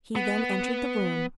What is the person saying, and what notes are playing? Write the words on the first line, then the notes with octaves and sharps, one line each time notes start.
He then entered the room.
B3